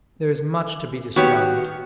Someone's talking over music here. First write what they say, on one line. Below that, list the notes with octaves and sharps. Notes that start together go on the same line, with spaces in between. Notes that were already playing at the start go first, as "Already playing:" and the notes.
There is much to be described.
D#3 B3 F#4 G4 C#5